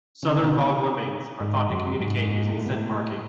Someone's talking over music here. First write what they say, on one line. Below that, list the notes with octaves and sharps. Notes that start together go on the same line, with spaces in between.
Southern bog lemmings are thought to communicate using scent marking.
C#3
B2
G#2
F#2
G#2
A2
B2
A2